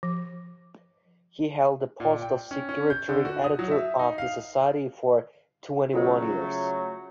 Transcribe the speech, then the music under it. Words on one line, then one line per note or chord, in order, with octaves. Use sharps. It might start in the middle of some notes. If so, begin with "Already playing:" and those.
He held the post of secretary-editor of the society for twenty-one years.
F3
A#2
G5
C#4
C#4
G6
D3
F#4
D#6
F#3
E5
D#4
F5
C#3 F#3 A3 F4 A4 C5